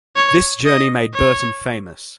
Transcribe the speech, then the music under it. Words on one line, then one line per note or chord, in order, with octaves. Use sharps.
This journey made Burton famous.
C#5
D#5
C#5